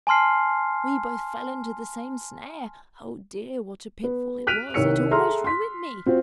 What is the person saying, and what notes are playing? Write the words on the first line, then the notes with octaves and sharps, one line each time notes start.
We both fell into the same snare; oh dear, what a pitfall it was; it almost ruined me!
G#5 A5 C6 F6 C7
B3
F6 F#6 B6 D7 D#7 F7
C2 D#3 A#4 C#5 E6 C#7
G#4 A4 E5 A#5 C6 F6
C6 B6
C4 F4 F#4 C5